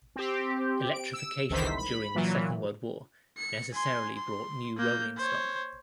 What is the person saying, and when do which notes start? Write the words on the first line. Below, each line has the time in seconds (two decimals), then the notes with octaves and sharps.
Electrification during the Second World War necessarily brought new rolling stock.
0.16 C4 G4
0.93 D7
1.13 E6
1.50 G1 C#2 D#3 E3 C5 B6
1.77 B5
2.15 A#2 E3 F#3
3.37 C#7
3.72 G#5 C6
4.17 C6
4.77 A#3 G6
5.17 C5 C#5